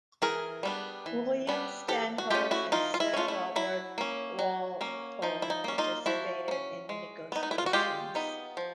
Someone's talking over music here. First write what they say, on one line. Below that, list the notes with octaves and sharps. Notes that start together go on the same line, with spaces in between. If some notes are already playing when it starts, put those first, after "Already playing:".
William Stanhope and Sir Robert Walpole participated in the negotiations.
E3 G#4 A#4
G3 B3 D4
E3
G3 B3 D4
E3 G4 A4
F#4
A3 C#4 F4 G4
E4 F#4
E3 D#4 F4
F4
E4
A3 C#4 F4
E4
F#3 E4
A#3 C#4
F#3
A#3 C#4
F3 D#4
E4
D#4
A#3 C#4
D#4 F4
F3 E4 F#4
A#3
C#4
G#3
B3 D#4
D#4
E4
F4
F#4
G#3 F4 G4
B3 D#4
F3